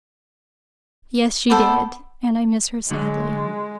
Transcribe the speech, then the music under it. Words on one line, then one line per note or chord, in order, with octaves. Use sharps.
'Yes, she did; and I miss her sadly.
B3 A4 C5 D5
D3 F#3 G#3